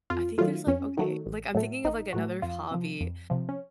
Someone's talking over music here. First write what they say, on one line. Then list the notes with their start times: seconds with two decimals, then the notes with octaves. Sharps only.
I think there's, like, okay, like, I'm thinking of, like, another hobby,
0.10 F2 F4
0.38 D#3 F#3 A3 F4
0.67 F2 C#4
0.97 D#3 F#3 A3
1.26 A1
1.55 A2 F#3 A3
1.84 A1 D#4
2.13 A2 F#3 A3 F#4
2.42 F2 F4
2.71 C3 F3
3.01 F2
3.30 C3 F3
3.49 C#4